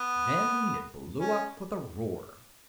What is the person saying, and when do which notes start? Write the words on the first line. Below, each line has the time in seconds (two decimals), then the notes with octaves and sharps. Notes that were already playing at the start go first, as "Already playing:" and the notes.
Then it blew up with a roar.
Already playing: B3
1.20 C#4